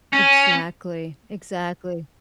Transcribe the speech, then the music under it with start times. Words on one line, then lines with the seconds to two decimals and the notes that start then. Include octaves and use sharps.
Exactly, exactly.
0.13 C#4